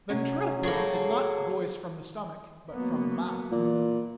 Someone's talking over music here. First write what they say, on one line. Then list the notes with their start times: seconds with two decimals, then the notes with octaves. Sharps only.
Ventriloquism is not voice from the stomach, but from the mouth.
0.10 C3 F#3 C#4
0.63 A2 A#3 G#4 C#5
2.73 F#3 A#3 B3
3.52 A#2 E3